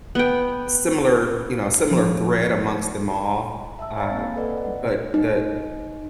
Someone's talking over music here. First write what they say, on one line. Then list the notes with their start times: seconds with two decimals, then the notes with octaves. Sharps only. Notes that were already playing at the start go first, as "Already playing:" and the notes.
similar you know, similar thread amongst them all, uh, but the
0.15 B3 G5
1.91 F3
3.79 E5 A5 E6
3.97 C#5 F5 G#5 A#5 B5 A6
4.10 A#3 C4
4.36 A4 B4 D5 D#5 F#5
4.57 F#5
5.14 D#4